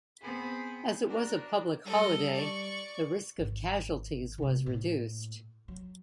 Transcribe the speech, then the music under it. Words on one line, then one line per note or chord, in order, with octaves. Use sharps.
As it was a public holiday, the risk of casualties was reduced.
B3 C4 G#4 B5
D4 F#4 A#4
G3 A4 D#5
D5 C#6
G#1
C3 G#3
A2 A#3
F#3